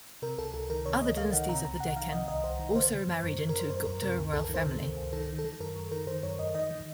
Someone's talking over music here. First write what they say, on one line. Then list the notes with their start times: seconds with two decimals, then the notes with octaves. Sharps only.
Other dynasties of the Deccan also married into Gupta royal family.
0.22 C3 A#4
0.38 C#2 A4
0.54 C#2 A4
0.70 D#3 A#4
0.86 C3 C#5
1.01 C#2 D#5
1.17 C#2 F5
1.33 D#3 F#5
1.49 C3 A#5
1.65 C2 A#5
1.80 C2 F#5
1.96 D#3 F5
2.12 C3 D#5
2.28 C2 D#5
2.44 C2 C5
2.59 D#3
2.71 A#4
2.75 C#3 C5
2.91 C#3
3.07 F#2
3.23 F#2
3.38 C#3
3.49 A#4
3.54 C#3
3.60 C5
3.70 F#2 C5
3.86 F#2 A#4
4.02 C3 A#4
4.18 C#2
4.33 C#2 A4
4.44 A#4
4.49 D#3
4.54 C5
4.65 C3
4.81 C#2
4.97 C#2
5.13 D#3 A4
5.28 D#3
5.39 A4
5.44 D#3
5.60 F#2 A#4
5.76 F#2
5.91 D#3 A#4
6.07 D#3 C5
6.23 F#2 C#5
6.39 F#2 D#5
6.55 D#3 D#5
6.71 D#3